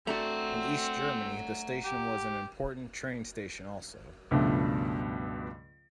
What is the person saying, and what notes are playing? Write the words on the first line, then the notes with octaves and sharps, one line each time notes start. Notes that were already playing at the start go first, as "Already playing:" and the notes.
In East Germany the station was an important train station also.
A3 C4 D4 F#4 F#5 A#5
G4
C#2 G2 B2 F3 A3